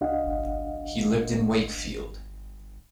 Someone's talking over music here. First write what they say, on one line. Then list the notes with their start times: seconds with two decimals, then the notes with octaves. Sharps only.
He lived in Wakefield.
0.01 C2 D4 F#4 D#5 F5 F#5